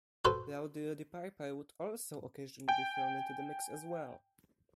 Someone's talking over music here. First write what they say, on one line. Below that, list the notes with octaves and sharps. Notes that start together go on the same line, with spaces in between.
Rowdy Roddy Piper would also occasionally be thrown into the mix as well.
F#4 A4 B4 C5
G5 G#5